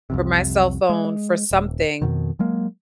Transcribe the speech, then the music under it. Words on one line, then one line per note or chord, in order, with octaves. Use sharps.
for my cell phone for something
C2 F2 C3
G#3
D#1
F2 B2 D#3
F#3 G#3 A#3